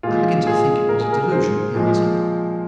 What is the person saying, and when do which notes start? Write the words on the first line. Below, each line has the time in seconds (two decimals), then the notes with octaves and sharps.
"I begin to think it was a delusion," he answered.
0.03 A#2 G#3 F4
0.47 G#4
0.89 A#4
1.01 G#4
1.13 A#4
1.32 C5
1.74 A#2 F3 G#3